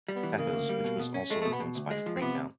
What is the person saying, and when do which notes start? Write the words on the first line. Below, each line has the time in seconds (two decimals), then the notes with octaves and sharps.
Pepper's", which was also influenced by "Freak Out!
0.08 G3
0.16 B3
0.23 E3
0.38 C#3 A#3
0.53 D2
0.69 G3
0.84 B2
0.99 B2
1.14 C#4
1.30 G#3 A3
1.41 A3
1.45 B2
1.53 B3
1.60 B2
1.75 D2
1.91 G#3
2.06 F3
2.16 C4
2.21 C3 B3